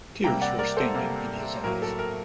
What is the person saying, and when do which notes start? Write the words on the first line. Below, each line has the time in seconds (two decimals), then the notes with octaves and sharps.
Tears were standing in his eyes.
0.24 C3 G3 A#3 G5 A#5
0.41 D5 F#5
0.59 A#4 D5
0.77 A4 C5
0.94 C3 G3 A#3
1.64 A2 F#3 A#3 A#4
1.82 A4
1.99 A#4